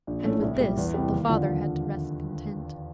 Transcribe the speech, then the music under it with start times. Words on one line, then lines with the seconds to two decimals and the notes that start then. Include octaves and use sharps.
And with this the father had to rest content.
0.07 A#1
0.25 A2 E3 A3 C#4
0.42 C2
0.59 A#2 G3
0.77 E2
0.94 C3 E3 G3
1.12 D#2
1.29 D3 F3